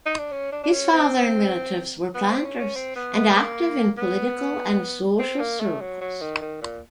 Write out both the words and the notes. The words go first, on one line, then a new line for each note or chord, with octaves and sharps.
His father and relatives were planters and active in political and social circles.
D#4
D4
C#4
D4
D4
C#4
C4
B3
C4
C#4
C#4
C4
B3
B3
A#3
B3
C4
A#3
A3
F#3
F#3
D#3
D#3
A#2